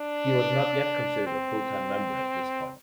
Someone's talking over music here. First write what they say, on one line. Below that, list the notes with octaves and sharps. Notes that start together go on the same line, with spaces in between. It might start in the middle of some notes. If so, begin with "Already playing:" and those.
He was not yet considered a full-time member at this point.
Already playing: D4
C4